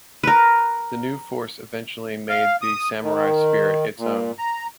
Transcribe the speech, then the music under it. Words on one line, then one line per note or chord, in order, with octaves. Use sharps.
The new force eventually made the samurai spirit its own.
A#4 B4
F5
D#6
D#3
A#2
A#5